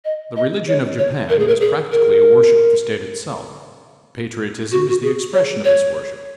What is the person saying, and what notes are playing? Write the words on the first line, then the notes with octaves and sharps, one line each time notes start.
The religion of Japan is practically a worship of the State itself. Patriotism is the expression of this worship.
D#5
D#5
C#5
C#5
A#4
G#4
A#4
G#4
A#4
F#4
F#4
G#4
C#5
C#5